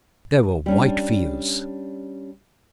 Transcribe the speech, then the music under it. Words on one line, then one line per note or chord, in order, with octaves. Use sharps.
There were white fields.
G3 C#4 D4